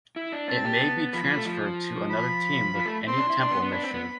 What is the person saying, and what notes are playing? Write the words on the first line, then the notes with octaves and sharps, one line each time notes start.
It may be transferred to another team with any temple mission.
E4
D4
C4 A5
G4
B3
F3 B5
F3
A3
F3
B5
F3
A3
C4 C6
D4
E4
D4
B3
B3
D4 B5
C4
B3